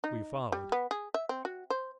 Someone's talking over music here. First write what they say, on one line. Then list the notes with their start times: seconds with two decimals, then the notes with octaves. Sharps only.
We followed.
0.04 D#4
0.52 G3
0.72 B3
0.91 G#4
1.14 E5
1.29 C4
1.45 F#4
1.70 C5